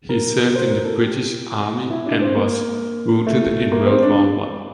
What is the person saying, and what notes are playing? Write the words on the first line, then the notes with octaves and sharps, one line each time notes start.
He served in the British Army and was wounded in World War One.
A#4
C5
A#4
A4
G4
E4
D4
C4
A#3
A3
A#3
C4
D4